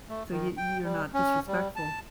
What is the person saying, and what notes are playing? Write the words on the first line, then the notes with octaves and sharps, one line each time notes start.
so you you're not disrespectful.
A3
D#3
G5
G3
C#4
G3
A5